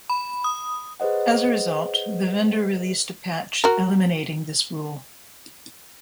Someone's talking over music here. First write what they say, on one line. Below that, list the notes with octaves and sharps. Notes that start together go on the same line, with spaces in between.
As a result, the vendor released a patch eliminating this rule.
B5
D#6
G#4 B4 C5 D#5 F#5
F#4 A#4